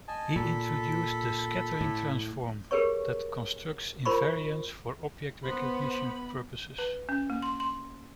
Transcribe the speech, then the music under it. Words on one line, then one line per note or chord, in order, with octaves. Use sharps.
He introduced the scattering transform that constructs invariance for object recognition purposes.
D#5 G#5 A5
A#2 A4 B5
A2
G4 G#4 A#4 B4 C#5 C#6
F4 A#4 C5 B5 C#6
B3 C5 B5
B4
C#4
A#3
C6
C6